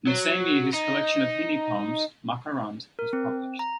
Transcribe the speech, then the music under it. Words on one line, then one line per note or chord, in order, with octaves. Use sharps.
In the same year his collection of Hindi poems "Makarand" was published.
F#3
D#4
A#4
C4
A#5